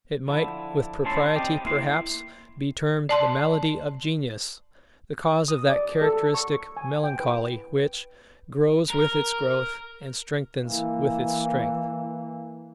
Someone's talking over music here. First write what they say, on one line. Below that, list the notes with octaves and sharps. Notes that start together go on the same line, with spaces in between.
It might with propriety, perhaps, be termed the malady of genius; the cause of that characteristic melancholy which "grows with its growth, and strengthens with its strength."
D3 F3 E4
D#2 C#4 E4 A5 C6
C4 G4 D5 D#5 G5
A#3 E4 C6
D5 A5 C6
D#6
D5
A4
C#6
G#5
G5
B4
A#4
E3 A#3